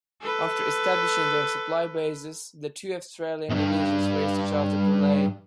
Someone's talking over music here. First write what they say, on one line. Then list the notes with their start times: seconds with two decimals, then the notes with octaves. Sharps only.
After establishing their supply bases the two Australian divisions raced each other to Lae.
0.21 A4 B4
3.50 E2 G2